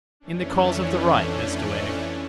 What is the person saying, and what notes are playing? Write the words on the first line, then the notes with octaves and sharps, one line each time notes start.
'In the cause of the right, Mr Wegg?'
F2 E3 A3 C#4 D4